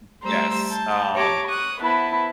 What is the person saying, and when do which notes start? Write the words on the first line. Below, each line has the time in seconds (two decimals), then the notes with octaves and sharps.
Y yes, um,
0.21 G3 A3 C5 A#5 E6
0.68 A5 G6
1.15 G4 C#5 A5 A#5 D6
1.48 C#6 D#6 F#6
1.82 B3 E4 B4 C5 A5